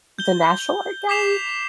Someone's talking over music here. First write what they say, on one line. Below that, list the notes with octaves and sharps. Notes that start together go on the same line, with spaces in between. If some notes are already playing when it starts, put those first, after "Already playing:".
the National Art Gallery?
G6 G7
D6 B6 C7 E7 F7